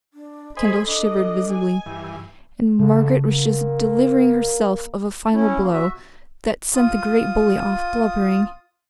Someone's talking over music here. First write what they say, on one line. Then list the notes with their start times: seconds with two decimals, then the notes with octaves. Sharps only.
Kendall shivered visibly--"and Margaret was just delivering herself of a final blow that sent the great bully off blubbering."
0.14 D4
0.57 A4 C5 D#5 G#5 B5
0.88 D4 D#5
1.49 G#5
1.86 G2 E3
2.79 C#3 A3
3.26 A#3
5.33 C#4 E4
5.59 A#3
5.73 F#4 E5
6.75 F4 D#6